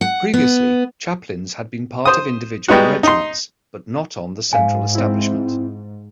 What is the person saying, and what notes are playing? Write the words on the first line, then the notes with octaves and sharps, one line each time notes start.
Previously chaplains had been part of individual regiments, but not on the central establishment.
F#5
B3
C5 D#6
G3 G#3 B3 D#4 F#4
D#4 C6
G#2 F5 G#5
C4 E4